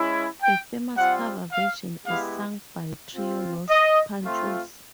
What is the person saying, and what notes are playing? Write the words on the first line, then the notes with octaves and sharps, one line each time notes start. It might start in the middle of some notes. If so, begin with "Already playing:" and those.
A famous cover version is sung by Trio Los Panchos.
Already playing: G#3 C#4 E4
G5
G3 C4 F4 F#5
F5
G#3 B3 E4 G4 F5
C4 F4
D#5
A3 C4 F4